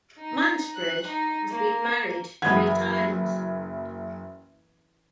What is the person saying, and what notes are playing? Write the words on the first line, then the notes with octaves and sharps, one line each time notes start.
Mansbridge has been married three times.
D#4
F#6
D#4
A#3
F#1 E3 F#3 D#5 F#5 B5 G#6